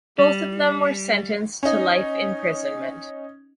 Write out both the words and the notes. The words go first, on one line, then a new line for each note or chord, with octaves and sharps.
Both of them were sentenced to life imprisonment.
G3
C#4 D#4